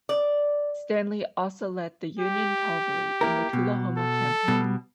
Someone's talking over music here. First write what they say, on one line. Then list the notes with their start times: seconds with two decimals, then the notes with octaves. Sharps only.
Stanley also led the Union cavalry in the Tullahoma Campaign.
0.09 D5
2.19 G4
3.21 A#3 E4 A#4
3.53 B2
3.98 A4
4.48 B2 G3